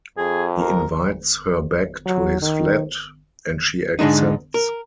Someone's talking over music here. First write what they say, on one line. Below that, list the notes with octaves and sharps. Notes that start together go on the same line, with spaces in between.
He invites her back to his flat and she accepts.
F2 G#4
A#4
F#3
D#3
G#2 D3 G#3 D4 D#4
A#4